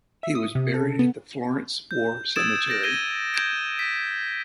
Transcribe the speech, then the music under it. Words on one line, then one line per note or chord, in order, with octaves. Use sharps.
He was buried at the Florence War Cemetery.
E5
D#6
C3
A4
B3
G6
D#6 E6 G#6 A6 D7 E7
G6 A6 A#6 D7
G#6 A#6 D#7 G7
G6 G#6 A#6 D7
A#6 B6